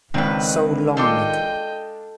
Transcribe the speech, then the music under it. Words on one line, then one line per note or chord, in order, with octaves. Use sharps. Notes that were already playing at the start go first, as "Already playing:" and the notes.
So Long, Mick!
C#2 D#3 C4 D4 B4
G#3 D4 F4 A4 D#5 G5 C6 D6